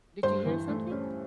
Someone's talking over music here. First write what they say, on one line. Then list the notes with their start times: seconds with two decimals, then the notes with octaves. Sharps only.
Did you hear something?
0.23 G2 C5 C6
0.45 E3
0.69 A3
0.91 C#4